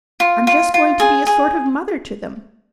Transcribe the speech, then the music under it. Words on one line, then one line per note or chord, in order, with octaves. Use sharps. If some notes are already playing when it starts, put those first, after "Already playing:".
I'm just going to be a sort of mother to them.
F4
F4
F4
G#4
G#4